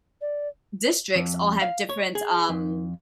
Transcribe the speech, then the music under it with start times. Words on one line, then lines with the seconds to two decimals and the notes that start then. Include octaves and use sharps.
districts all have different, um
0.21 D5
1.16 F2
1.62 F5
1.89 C#5
2.15 G#4
2.49 F2